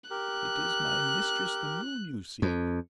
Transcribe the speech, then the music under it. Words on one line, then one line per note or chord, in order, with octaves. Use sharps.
'It is my mistress, the Moon, you seek.
G4 A#4 F#6
F2